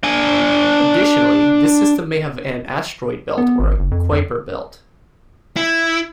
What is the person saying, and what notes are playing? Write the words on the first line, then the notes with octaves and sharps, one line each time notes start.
Additionally, this system may have an asteroid belt or a Kuiper belt.
D4 G#5
B3
G#1
F#1
F2
F2
E4